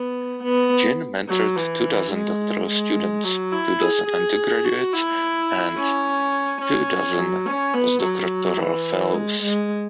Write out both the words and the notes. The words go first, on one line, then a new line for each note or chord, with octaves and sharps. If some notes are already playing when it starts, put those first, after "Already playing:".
Jin mentored two dozen doctoral students, two dozen undergraduates and two dozen postdoctoral fellows.
Already playing: B3
B3
F#3
E3
G#3
G#3
F#3
E4
G#4
G#4
F#4
E4
C#4
C#4
F#3
C#4
B3
F#3
E3
G#3
G#3